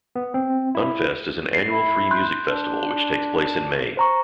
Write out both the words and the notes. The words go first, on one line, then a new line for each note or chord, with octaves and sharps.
Unfest is an annual free music festival which takes place in May.
B3
C4
E4
C7
E4
C6 F#6 G6
D4
C5 A#5 C#6